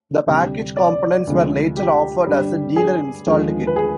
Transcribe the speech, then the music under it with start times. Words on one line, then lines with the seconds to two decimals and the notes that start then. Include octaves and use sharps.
The package components were later offered as a dealer installed kit.
0.26 D2 C3 G3
0.77 D5
1.27 D2 C3 F3 G#3
1.77 G4
2.26 G2 D3 G3
2.76 G#4
3.27 D#2 D3 F3 G#3
3.67 B4
3.76 G#4